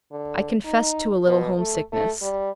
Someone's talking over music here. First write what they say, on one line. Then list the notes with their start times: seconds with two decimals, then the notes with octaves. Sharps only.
I confessed to a little homesickness.
0.11 D3
0.65 D#4
1.26 B2
1.58 A3
1.92 A3
2.22 G3